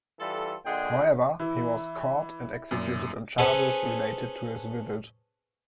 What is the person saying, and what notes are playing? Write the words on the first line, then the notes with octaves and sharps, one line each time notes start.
However, he was caught and executed on charges related to his visit.
E3 G3 F4 A4
A#2 D3 G#3 G#4 F#5 G5
E3 E4
F#2 A#2
C#4 G#4 A4 B4 C5